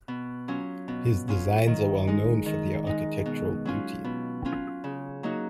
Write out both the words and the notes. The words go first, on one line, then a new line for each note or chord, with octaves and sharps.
His designs are well known for their architectural beauty.
B2
F#3 C#4 F4
B2
F#3 C#4 F4
D#3
G#3 D#4
D#3
G#3 D#4
B2
F#3 C#4 F4
B2
F#3 C#4 F4
C#3
F#3 A#3 D#4 F#4